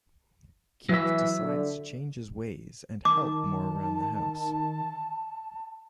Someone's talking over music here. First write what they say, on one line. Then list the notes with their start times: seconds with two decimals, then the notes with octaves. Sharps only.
Keith decides to change his ways and help more around the house.
0.89 E3 F#3 E5
1.41 D3
3.05 D#3 A5 D6